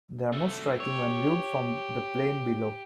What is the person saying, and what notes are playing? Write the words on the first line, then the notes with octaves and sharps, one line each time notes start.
They are most striking when viewed from the plain below.
C2 A3
G4 C#5